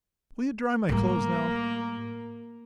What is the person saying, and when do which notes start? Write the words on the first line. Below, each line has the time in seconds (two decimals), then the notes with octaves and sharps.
Will you dry my clothes now?
0.89 A2 G3 A#3 A#4